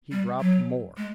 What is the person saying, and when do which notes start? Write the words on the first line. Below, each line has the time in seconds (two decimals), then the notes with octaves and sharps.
He dropped more.
0.12 G3
0.40 F#3
0.97 G#3